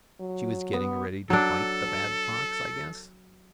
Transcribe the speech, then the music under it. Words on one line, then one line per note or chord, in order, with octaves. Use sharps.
She was getting ready to bite the bad fox, I guess.
F#3
B3
F#3 D4 A4